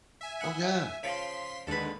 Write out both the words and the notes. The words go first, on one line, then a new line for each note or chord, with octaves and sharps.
Oh yeah.
E5 G#5
F#5 D#6
C#3 F3 C6 B6
D#2 D3 G#3 A4 B4